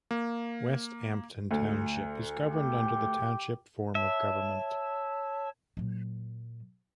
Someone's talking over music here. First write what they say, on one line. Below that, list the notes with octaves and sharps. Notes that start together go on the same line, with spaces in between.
Westampton Township is governed under the Township form of government.
A#3
D2
G4
C#5 E5 A5
A#2 F#3